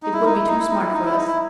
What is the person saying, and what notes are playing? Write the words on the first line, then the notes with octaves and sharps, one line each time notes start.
It would be too smart for us.
D#4
E4
D#4
E4
D#4
E4
D#4
E4
D#4
E4
D#4
E4